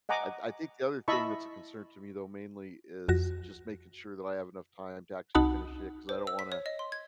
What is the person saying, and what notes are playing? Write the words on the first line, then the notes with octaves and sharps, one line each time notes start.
I I think the other thing that's a concern to me though, mainly is just making sure that I have enough time to actually finish it, 'cause I don't wanna
D#5 F#5 G#5 A#5 D6
E4 D#5 E5 A5 B5 C#6
F2 F#4 A#6
C2 D#4 F#4 F#5 A5 B5
C5
E6
B6
C#5
D#5
C6
G#6